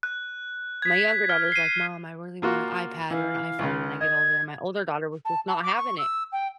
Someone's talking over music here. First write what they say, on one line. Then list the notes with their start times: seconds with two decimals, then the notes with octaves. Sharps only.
My younger daughter is like, "Mom, I really want an iPad or an iPhone when I get older," and my older daughter was just not having it.
0.03 F#6
0.82 G#6 B6
1.29 F6
1.52 C7 D#7
2.42 A#3 F4 F#4
3.10 E3 F5
3.59 C#2 C#3
4.01 D#5 G#6
5.25 A5
5.48 A5
5.63 D6
5.77 C#6
5.98 E6
6.32 G5